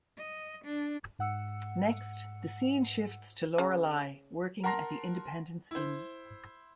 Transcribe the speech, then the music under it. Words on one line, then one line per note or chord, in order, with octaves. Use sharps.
Next, the scene shifts to Lorelai working at the Independence Inn.
D#5
D4
G#2 F#5 E6 C#7
C#3
A#4 F#5 A5 A#5 C6 A#6
E4 C5